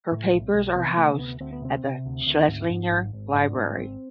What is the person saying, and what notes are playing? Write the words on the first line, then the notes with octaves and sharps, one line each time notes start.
Her papers are housed at the Schlesinger Library.
A2
B1
B1
C3 B3
C3 A3
C4
D2 B3
D2 C4
B3
C3 C4
C3
D2
D2
G#2
G#2
G#1
G#1
G#2 D4
G#2
G#1 C4